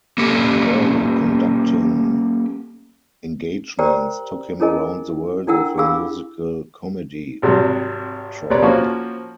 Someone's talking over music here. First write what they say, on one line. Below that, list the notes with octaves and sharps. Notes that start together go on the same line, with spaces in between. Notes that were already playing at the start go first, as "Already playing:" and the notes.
Early conducting engagements took him around the world with a musical comedy troupe.
A#3 C#4 G4 A4
G4 A#4 C5 D5 G5 A#5
C#4 E4 G#4 A#4 D#5 G#5
D4 E4 A#4 F#5 G5 E6
D4 G4 G#4 F5 B5 E6
G#1 C3 F#3 G3
D2 C3 B4 C#5 D5 A#5
F3 A#3 C#4 F#4 C5